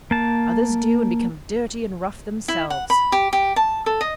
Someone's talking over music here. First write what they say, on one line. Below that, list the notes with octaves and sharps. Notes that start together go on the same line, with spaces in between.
Others do, and become dirty and rough themselves.
A#3 A5
E4
F#5
B5
G4
G4
A5
A4
D#5